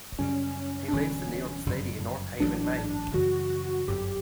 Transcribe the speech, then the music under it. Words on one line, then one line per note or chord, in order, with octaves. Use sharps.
He lives in New York City and North Haven, Maine.
F#2 C#3 G3 C#4
D4
E1 D2 D3 G3 C#4
G1 F#2 C#3 G3
A1 A2 F#3 D4
F#2 C#3 E3 G3 F#4
G1 F#2 D3 F#3 G4